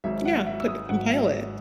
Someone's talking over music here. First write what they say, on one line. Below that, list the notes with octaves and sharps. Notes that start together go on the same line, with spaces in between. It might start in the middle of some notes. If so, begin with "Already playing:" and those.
Yeah. Put compile it.
G#1 G#2 F#3 E5
F#5
E5
E6
D#6
G#1 G#2 F#3 F#5
E5